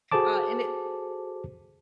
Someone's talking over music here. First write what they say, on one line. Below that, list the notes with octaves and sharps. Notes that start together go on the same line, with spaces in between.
Uh, and it
F#4 G#4 A4 C5 A5 D6